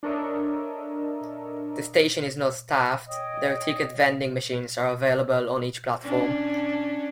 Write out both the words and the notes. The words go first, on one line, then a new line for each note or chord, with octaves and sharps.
The station is not staffed, though ticket vending machines are available on each platform.
D4 A4 A#4 C#5 D#5 E5
C#5 D#5 G5 D#6
C#4 D4